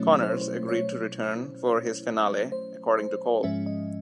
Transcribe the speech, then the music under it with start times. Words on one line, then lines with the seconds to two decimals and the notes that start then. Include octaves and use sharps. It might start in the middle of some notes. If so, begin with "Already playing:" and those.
Connors agreed to return for his finale, according to Cole.
Already playing: B2 F#3 A3 C#4 E4 C#5
0.23 C5
0.32 C#5
0.41 C5
0.69 C#5
2.52 C5
2.97 C5
3.43 G#2 F3 G#3 C#4 E5
3.66 D#5